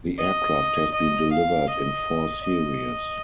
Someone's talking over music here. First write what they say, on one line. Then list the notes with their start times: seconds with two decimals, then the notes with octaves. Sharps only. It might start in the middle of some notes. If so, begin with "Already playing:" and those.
The aircraft has been delivered in four series.
0.18 D#5
0.93 D#5
1.31 F5
1.68 D#5
2.43 D#5